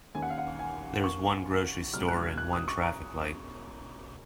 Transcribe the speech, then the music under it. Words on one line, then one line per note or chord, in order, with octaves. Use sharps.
There is one grocery store and one traffic light.
D#2 D#3 A#3 C#4 G#5
F#5
F5
F#5
G#5
C#6
C#2 B2 F#3 F6
F#6
G#6
F#6
D#6
C#6
A#5